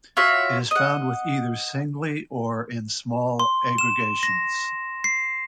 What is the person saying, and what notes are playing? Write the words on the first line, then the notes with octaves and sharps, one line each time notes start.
It is found with either singly or in small aggregations.
F4 F#4 C#5 E5
D#5 F#5
C6
E7
A#6
C7